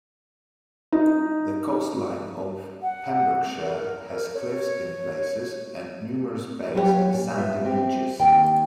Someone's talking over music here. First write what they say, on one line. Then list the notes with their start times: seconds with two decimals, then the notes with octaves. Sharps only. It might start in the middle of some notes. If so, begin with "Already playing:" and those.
The coastline of Pembrokeshire has cliffs in places, and numerous bays and sandy beaches.
0.92 D#4
2.82 F#5
3.63 A#4
4.34 C#5
6.75 F#3 F4 G4 A#4 C#5
7.13 A#2
7.38 B3 F4 E5
7.65 C4 G4
8.19 D#2 D#3 G5